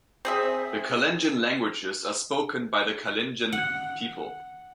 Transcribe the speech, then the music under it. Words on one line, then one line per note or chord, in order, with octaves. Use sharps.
The Kalenjin languages are spoken by the Kalenjin people.
C4 G#4 E5
F#5